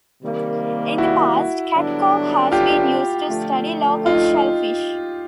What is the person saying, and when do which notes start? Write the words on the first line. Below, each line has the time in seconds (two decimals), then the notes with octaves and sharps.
In the past, Cat Cove has been used to study local shellfish.
0.22 C3 D#3 G3 A#3
0.98 E4 F#4
1.75 G2 D3 F#3 B3 D4
2.52 F4 G4
3.28 D3 F3 A3
4.06 D#4 F4